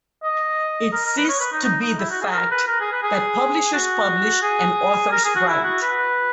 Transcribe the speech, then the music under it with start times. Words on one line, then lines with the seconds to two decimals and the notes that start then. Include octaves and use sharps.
It ceased to be the fact that publishers publish and authors write.
0.23 D#5
0.93 A#4
1.06 A#4
1.17 B4
1.29 C#5
1.40 B4
1.52 D#4
1.63 D#4
1.81 D#4
1.98 E4
2.10 F#4
2.21 G#4
2.32 A#4
2.51 B4
2.67 A#4
2.80 G#4
2.92 B4
3.03 G#4
3.73 F#4
4.42 G#4
5.12 A#4
5.25 G#4
5.36 F#4
5.48 E4
5.64 F#4
5.82 B4